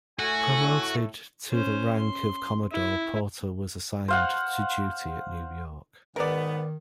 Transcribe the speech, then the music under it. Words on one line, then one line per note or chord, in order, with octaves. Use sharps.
Promoted to the rank of commodore, Porter was assigned to duty at New York.
A2 A3 F#4 G#5
C#4 C5
C6
E4
C5 F5 F#5
G#2 D#3 B3 A#4 D5